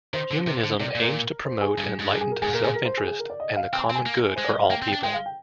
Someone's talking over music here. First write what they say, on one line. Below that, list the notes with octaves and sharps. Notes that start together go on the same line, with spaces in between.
Humanism aims to promote enlightened self-interest and the common good for all people.
D#3 C5
D3
C3
D3
C3 D5
A#2 D5
A#4
C5
G#4
G2
G#2
G2 G#4
G#4
A#4
G#2 G#4
A#2 A#4
A#2 G#4
A#4
C5
G#4
G#4
A#4
D5
D#5
F5
C4 G5
G#5
C4
G#5
A#3
G#3 C5
D5
D#5
F5
A#3 G5
C4
G5
D4
G#3 G5
F5
G5